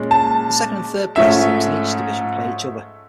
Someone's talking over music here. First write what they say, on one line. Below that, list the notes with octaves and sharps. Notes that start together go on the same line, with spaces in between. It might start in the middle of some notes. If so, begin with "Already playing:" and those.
The second and third place teams in each division play each other.
Already playing: A#2 G#3 C#4
A5
G#2 F3 A3 C#4 E5